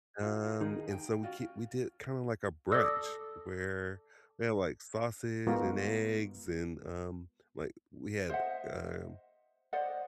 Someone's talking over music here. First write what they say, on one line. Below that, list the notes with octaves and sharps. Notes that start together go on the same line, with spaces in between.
um, and so, we k we did it kinda like a brunch, where we had, like, sausage and eggs and, um, like, we had, um,
F4 F#4
F4 A#4
D#3 G#4 D#5
G5
C#4 F4 F#4
A4 D5 D#6 E6 A#6
G#3 B3 F4 F#4 A#4
C5 D#5 E5 F#5
C5 D5 D#5 F#5